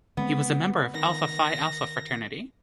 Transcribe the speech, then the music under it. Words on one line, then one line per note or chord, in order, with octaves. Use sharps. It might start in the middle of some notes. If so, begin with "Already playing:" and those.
He was a member of Alpha Phi Alpha fraternity.
D3 G#3 B3 C4
D#3 A#6